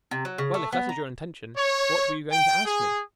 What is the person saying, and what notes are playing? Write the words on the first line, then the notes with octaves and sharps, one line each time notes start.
"Well, if that is your intention--what were you going to ask me?"
C3
F#3
C#3
A3
B3
A#5
C#5
G5
G#4